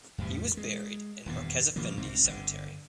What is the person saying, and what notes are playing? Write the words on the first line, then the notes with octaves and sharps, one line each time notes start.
He was buried in Merkezefendi Cemetery.
E2 A2 G3
G#3
D#1 E2 G2
C#3 F3 G3 A#3
C2 G#2 C4
G1 D3